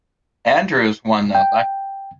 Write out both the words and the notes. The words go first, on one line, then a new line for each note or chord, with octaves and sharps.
Andrews won the election.
G5